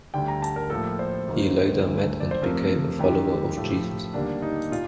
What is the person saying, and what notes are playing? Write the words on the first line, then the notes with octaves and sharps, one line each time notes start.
He later met and became a follower of Jesus.
D2 D3 G3 G5
A#5
A5
A#4
A2 F3 A#3 A4
C5
D#2 D#3 A#3
D2 D3 A3
D5
C5
F2 C3 F3 A3 A#4
D#2 D#3 G3 G4
A2 F3 A3
D#2 D3 G3 A#3 D4
D#4
A#2 F4